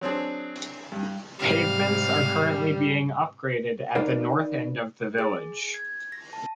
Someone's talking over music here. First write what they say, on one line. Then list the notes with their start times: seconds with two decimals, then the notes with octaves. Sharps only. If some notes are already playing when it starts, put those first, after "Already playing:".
Pavements are currently being upgraded at the north end of the village.
0.01 F#3 C4 D4 G#4
0.92 G2
1.39 G#2 C3 G3 F5
3.95 D#4 A#4 B4 D5 F5
5.18 G#4
5.74 G#6
6.12 A#6
6.33 A5